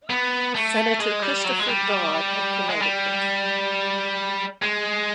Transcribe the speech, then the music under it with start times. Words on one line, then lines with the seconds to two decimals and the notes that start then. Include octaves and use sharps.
Senator Christopher Dodd of Connecticut.
0.10 B3
0.55 A3
0.99 G#3
1.22 G3
1.44 F#3
1.59 G#3
1.67 G3
2.69 G#3
2.81 G3
4.62 G#3